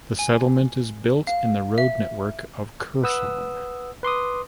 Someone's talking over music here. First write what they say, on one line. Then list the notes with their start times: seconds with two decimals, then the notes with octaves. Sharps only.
The settlement is built in the road network of Kherson.
0.19 G#5
1.27 F5
1.78 E5
3.03 B4 F#5 D#6 E6
4.03 B4 C6 D6 D#6